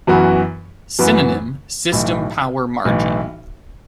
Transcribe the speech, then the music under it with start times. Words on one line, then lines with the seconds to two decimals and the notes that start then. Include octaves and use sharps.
"Synonym" system power margin.
0.07 F#2 E3 B3 F#4 B4
0.99 F#2 E3 B3 F#4 B4
1.92 B1 A2 E3
2.85 B1 A2 E3